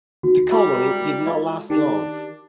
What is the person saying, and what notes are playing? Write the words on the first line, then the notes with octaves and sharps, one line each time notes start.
The colony did not last long.
D#2 F#4
G3 G#3 E4 F#4 B5
A#4 C5 A#5
G#3 F4 A4 D5 D#5 B5
D#3 D4 G4